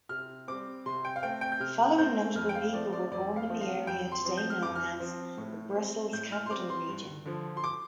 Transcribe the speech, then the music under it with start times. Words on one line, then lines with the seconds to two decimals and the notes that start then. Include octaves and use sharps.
Following notable people were born in the area today known as the Brussels-Capital Region.
0.09 C3 F6
0.48 G3 C4 D6
0.86 C3 C6
1.05 G5
1.16 F5
1.23 A3 C4 G5
1.41 G5
1.52 G6
1.60 C3 F6
1.98 A3 C4 G6
2.35 F2 F6
2.49 G5
2.55 F5
2.73 F3 A3 C4 D5
2.93 D5
3.11 F2 D5
3.36 F5
3.49 F3 A3 C4
3.61 F5
3.87 F2 G5
4.12 C6
4.25 F3 C4
4.37 G6
4.50 F6
4.62 F2 D6
4.76 F6
5.00 F3 C4
5.37 A2
5.75 G3 C4
6.13 A2 G6
6.32 F6
6.46 C6
6.50 G3 C4 D6
6.70 C6
6.88 G2
7.26 D3 F3
7.57 C6
7.64 D6